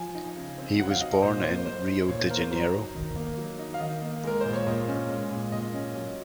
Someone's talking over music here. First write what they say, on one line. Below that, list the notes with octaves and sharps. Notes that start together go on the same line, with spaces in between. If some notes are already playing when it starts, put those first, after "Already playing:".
He was born in Rio de Janeiro.
Already playing: F3 G#5
D#4
C#3
C4
F#3 F#5
F5
D#4 D#5
D#5
A#2 C5
A#3 C5
F#3 C5
D#4
A#2 C#5
C5
A#3 A#4
C5
F#3 A#5
D#4
D#3
A#3
F#3
D#4
F5
D#3 D#5
A#3
G#3 A#4
A#2 C5
C#5
A#2 D#5
C#4
G#3
A#2
A#2 D#5
C#4
F#3